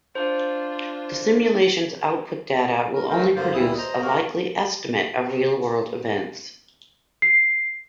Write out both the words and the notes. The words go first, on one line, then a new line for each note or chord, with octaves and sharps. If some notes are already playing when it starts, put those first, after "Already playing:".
The simulation's output data will only produce a likely "estimate" of real-world events.
D4 F4 C5
A#4
D#3 F#3 G#3 A3 A#4 C5
G2 D3 A#3 F4 C5
D2 A#2 E3 G3 E4 D#6
C5 D#5 A#5
A#3 F#4 A#4
C7